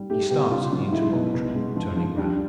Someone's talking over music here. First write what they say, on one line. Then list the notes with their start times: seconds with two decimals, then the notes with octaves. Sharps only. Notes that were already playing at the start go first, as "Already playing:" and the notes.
He starts at the interrogatory, turning round.
Already playing: G3
0.10 A3 G4
0.30 B2 G4
0.51 C#3 F4
0.72 F#3
0.92 G#3 E4
1.13 B2
1.34 B2
1.55 G#3
1.76 F3
1.96 F3
2.17 G3 D4